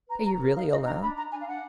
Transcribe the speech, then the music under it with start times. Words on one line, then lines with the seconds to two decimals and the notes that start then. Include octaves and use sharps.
Are you really alone?
0.08 B4 A#5
0.24 F#4 A#5
0.39 A#4
0.54 D#4 F5
0.70 D#4 D#5
0.85 D4 A#5
1.00 D4 B5
1.16 D4 A#5
1.30 D4 G#5
1.40 F5
1.46 D4 F#5